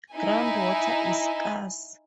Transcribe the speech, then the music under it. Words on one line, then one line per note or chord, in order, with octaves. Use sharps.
Ground water is scarce.
D#4 E4 G#5